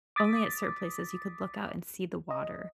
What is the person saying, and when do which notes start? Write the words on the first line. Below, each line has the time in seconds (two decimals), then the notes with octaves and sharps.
only at certain places- you could look out and see the water.
0.16 D6 D#6 A6 B6
2.31 D#5